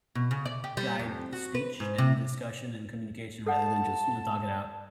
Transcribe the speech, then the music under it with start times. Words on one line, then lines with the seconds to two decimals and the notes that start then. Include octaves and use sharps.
guide speech, and discussion, and communication rather than just, you know, talk it out
0.15 B2
0.31 C#3
0.46 D5
0.64 G4
0.77 G3
0.99 F2
1.33 F#4
1.55 B4
1.80 G#2
1.98 C3
3.46 A4 F#5 A5